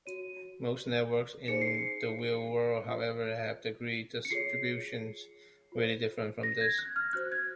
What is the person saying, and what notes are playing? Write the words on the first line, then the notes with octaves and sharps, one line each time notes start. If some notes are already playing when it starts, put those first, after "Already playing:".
Most networks in the real world, however, have degree distributions very different from this.
F#4 C#5 D#7
D#4 G#4 C5 C#7
C7
C#7
C#7
F4 G#4 C#5
C#7
F4 G#4 C#5 C7
F4 C5
A#6
G#6
F#6
F6
F#4 C5 F#6
G#6